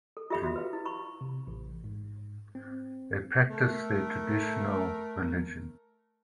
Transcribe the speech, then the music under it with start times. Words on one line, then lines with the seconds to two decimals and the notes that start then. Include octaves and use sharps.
They practice their traditional religion.
0.17 A4
0.30 F4 G4 A4 E5 G5 B5
0.43 F#4 E5
0.56 B4 F5
0.73 E4
0.85 B5 C#6
1.21 C3
1.47 A1
1.84 G#2
2.55 C4
3.50 A3 A#4